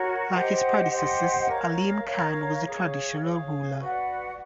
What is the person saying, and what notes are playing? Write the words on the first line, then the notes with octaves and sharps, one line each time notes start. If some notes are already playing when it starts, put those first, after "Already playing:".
Like his predecessors, Alim Khan was a traditional ruler.
Already playing: F#4 A#4 C#5
G4 C5 D#5 F#5
G4 C5 D#5 F#5
A#4 C#5 F5
A#4 C#5 F5
G#4 C#5 F5
G#4 C#5 F5
F#4 B4 D5 F#5